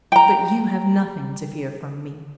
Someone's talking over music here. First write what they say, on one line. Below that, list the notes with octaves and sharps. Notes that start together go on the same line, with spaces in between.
But you have nothing to fear from me.
G5 A#5